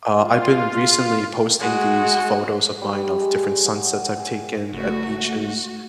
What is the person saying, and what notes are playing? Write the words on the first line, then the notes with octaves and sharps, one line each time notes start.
uh, I've been recently posting these photos of mine of different sunsets I've taken at beaches.
F4
G#3 F#4
G3
G#3
F#4
E5
G#4
F#1 A3 F#4